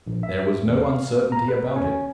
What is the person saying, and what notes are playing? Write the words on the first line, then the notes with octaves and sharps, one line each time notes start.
There was no uncertainty about it.
A#1
E5
D#2
F5
A#5
B4
C#4